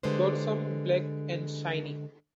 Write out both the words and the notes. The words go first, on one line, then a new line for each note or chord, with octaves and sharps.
Dorsum black and shiny.
D3 G3 G#3 B4 C5